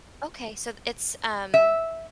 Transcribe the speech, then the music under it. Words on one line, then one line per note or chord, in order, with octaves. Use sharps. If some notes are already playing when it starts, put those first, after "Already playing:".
Okay, so it's, um
E5